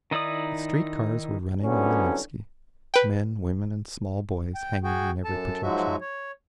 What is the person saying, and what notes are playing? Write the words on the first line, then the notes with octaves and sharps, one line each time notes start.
The street-cars were running on the Nevsky, men, women and small boys hanging on every projection.
D#3 D#4 E4 D5 D#6
C2 D3 F#3 B3 C#4
B4 G5
G5
F#4 G#4 G5
F#2 A4 A5
G#2 F3 F#3 G#3 F#4 E5
C#5